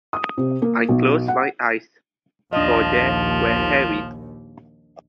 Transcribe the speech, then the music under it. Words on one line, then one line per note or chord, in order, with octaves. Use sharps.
I closed my eyes, for they were heavy.
D#6
C3
A#3
B1
F#5
A#1 D#2 F3 D4 D#5